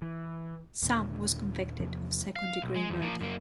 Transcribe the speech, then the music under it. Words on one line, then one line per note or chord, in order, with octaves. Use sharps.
Sam was convicted of second-degree murder.
E3
D#2 A#2 D3
E2 C3 F3 A#3
F5
B1
G#3
E2
F3 A#3
F#2 A#3